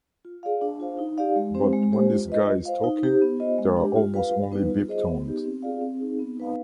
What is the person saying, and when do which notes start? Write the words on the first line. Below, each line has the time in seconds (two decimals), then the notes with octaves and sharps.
But when this guy is talking, there are almost only beep tones.
0.25 F4
0.43 G#4 D5 F5
0.61 D4
0.80 F4 C5 F5
0.99 D#4
1.18 G4 D5 F5
1.36 G#3
1.54 C4 G4 C5
1.73 G#3
1.92 D4 G4 C5
2.10 F4
2.28 B4 D#5
2.47 F4
2.65 C5 F5
2.84 D#4
3.03 G4 C5
3.22 B3
3.40 F4 C5 D#5
3.58 G#3
3.77 D4 G4
3.96 F4
4.14 B4 F5
4.33 G3
4.51 B3 D#4 B4
4.70 F4
4.88 G#4 C5 D#5
5.07 B3
5.26 D#4 G4
5.45 C4
5.63 F4 G#4 D5 F5
5.81 C4
6.00 D#4 G#4
6.19 B3
6.37 D#4 B4 F5